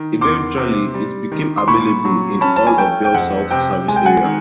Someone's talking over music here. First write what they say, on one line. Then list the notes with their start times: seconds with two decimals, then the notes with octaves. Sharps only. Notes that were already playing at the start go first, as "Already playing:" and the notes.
Eventually, it became available in all of BellSouth's service area.
Already playing: D#3
0.21 E2 C6 D6
0.58 C3
0.94 G3
1.32 D#3
1.58 C6
1.68 A#2 B5 C#6
2.05 F#3
2.41 C#4 A5 B5
2.56 A5
2.67 G#5
2.78 A3 G5
3.05 G5
3.14 F2 F#5
3.51 C3 G5
3.88 G#3 G#5
3.96 G5
4.06 F#5 G#5
4.24 D#3